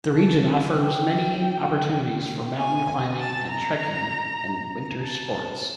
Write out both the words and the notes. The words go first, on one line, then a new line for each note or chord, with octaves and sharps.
The region offers many opportunities for mountain climbing and trekking and winter sports.
A5
G5
G#5
A5
A#5
A5